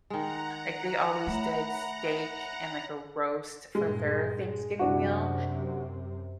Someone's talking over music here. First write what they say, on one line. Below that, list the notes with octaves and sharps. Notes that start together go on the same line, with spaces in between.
Like, they always did steak and, like, a roast for their Thanksgiving meal
D#3 G#3 F#5 A#5
A3 C#5 E5 B5
G2 A#2 G#3
F#2 C3 D4 E4 F#4